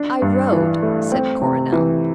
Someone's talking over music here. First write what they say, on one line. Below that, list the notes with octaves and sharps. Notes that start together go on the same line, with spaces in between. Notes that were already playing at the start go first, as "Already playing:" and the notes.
"I rode," said Coronel.
Already playing: D4
G2
E3
A3
C4
C3
E3